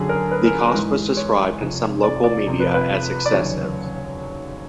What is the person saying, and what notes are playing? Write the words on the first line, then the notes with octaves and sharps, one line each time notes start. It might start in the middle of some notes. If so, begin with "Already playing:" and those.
The cost was described in some local media as excessive.
Already playing: F#2 D3 F#3 G#4
A#4
B4
A#4
G#2 E3
C#5
F2 C3 F3
D5
D5
F2 C3 F3
B4
B4
D5
D#2 C#3 F#3 C#5